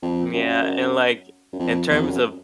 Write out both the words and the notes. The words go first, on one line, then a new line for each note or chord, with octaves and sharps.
Yeah, and like in terms of
F2
F#2
F#2
F2
E2
F2
F#2